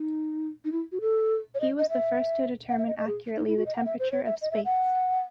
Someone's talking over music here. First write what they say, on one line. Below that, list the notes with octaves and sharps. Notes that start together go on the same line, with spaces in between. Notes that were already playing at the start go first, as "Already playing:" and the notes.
He was the first to determine accurately the temperature of space.
Already playing: D#4
D#4
E4
F#4
A4
C#5
D#5
D#5
E5
F#5
E5
D#5
D#5
G#4
D#4
E4
F#4
D#5
F#5
E5
C5
C#5
E5
D#5
E5
F#5